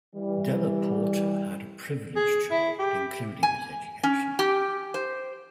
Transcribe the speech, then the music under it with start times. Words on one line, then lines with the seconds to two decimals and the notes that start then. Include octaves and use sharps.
Della Porta had a privileged childhood including his education.
0.15 E3 G3
2.16 G#4
2.51 E4
2.79 G4
3.43 G#5
4.03 C#4
4.39 G4
4.94 C5